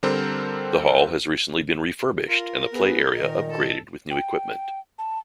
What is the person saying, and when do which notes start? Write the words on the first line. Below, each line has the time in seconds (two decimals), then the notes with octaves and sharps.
The Hall has recently been refurbished and the play area upgraded with new equipment.
0.03 D3 G3 C4 A4 A#4 C5
2.28 F4 A#4
2.73 B3 G#4 B4
3.15 A#2 D#3 D#5
3.50 A4
4.11 G5
4.98 A5